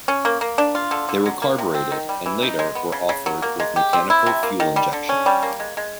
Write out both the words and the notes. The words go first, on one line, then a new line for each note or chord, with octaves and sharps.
They were carbureted and later were offered with mechanical fuel injection.
C#4
A#3
A#3
D4
F4
D3
D3
F#3
A#3
C3
C4
D#3
G3
E3
D#4
G#3
B3
C#3
C#3
F#3
A#3
G#3
G4
C4
E4
C3
A#3
D#3
G3
D3
C#4
G3
A#3
G#3
G#3